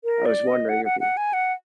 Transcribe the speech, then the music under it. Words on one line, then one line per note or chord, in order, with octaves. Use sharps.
I was wondering if you
A#4
D5
D#5
F#5
F#5
F#5
G#5
F#5